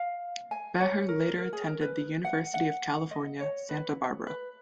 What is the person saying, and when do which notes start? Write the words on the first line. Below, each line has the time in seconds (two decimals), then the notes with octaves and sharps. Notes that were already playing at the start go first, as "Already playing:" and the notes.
Bahar later attended the University of California, Santa Barbara.
Already playing: F5
0.51 G#5
0.80 C#5
1.09 A#4
1.38 A#4
1.53 G#4
1.67 A#4
1.81 B4
2.25 F#5
2.54 F#5
3.11 D#5
3.40 C#5
3.69 B4
4.27 B4